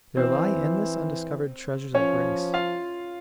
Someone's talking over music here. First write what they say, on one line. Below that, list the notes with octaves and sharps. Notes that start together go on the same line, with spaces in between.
There lie endless undiscovered treasures of grace.
E3 C4 C5
F3 C#4 C#5
F4 F5